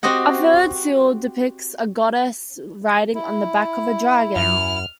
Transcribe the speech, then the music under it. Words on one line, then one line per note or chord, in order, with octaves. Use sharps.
A third seal depicts a goddess riding on the back of a dragon.
C4 F#4 G4 D#5 F#5
E4
F#2 F6